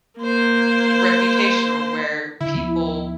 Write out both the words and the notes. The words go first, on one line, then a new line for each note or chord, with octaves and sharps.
reputational where people
A#3 C5
D3 E4
D1 F3 B3